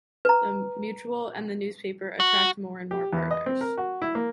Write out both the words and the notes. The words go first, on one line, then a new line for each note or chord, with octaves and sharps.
The mutual and the newspaper attract more and more partners.
B4 A#5
F#4
G4
E2
D#5
C4
A#4
F#4
E4
A#3